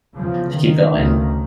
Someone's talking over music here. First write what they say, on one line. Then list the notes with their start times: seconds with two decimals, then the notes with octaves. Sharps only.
to keep going.
0.15 E2 C#3 F3
0.55 D#3
0.93 D2 C#3